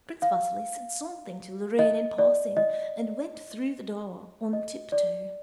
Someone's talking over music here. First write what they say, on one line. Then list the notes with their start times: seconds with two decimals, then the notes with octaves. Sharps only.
Prince Vasili said something to Lorrain in passing and went through the door on tiptoe.
0.22 F5
1.79 D#5
2.18 D5
2.57 D#5
4.53 D#5
4.92 D5